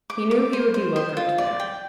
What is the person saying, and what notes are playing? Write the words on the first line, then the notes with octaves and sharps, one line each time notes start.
He knew he would be welcomed there.
D6
D6
C5
C5
C5
F4
D5
G5